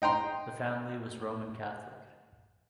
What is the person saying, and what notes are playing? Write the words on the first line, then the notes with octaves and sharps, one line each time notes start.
The family was Roman Catholic.
D#5 G5 A#5 C6